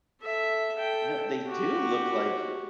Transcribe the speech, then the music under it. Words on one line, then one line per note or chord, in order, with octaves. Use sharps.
you know, they do look like
A4 E5
A4 G5
F#4 G4